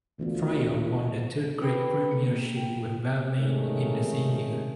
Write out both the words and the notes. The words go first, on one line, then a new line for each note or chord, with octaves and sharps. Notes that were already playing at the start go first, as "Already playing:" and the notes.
Fryer won the third grade premiership with Balmain in the same year.
D2 E3 B3 F4
B4 G5 B5
A#3
G5
G#2 C3 D#3 A3 C#4